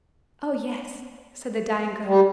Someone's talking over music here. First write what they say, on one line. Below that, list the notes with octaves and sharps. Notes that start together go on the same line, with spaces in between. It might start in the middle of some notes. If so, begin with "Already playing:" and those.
"Oh, yes," said the dying girl.
G3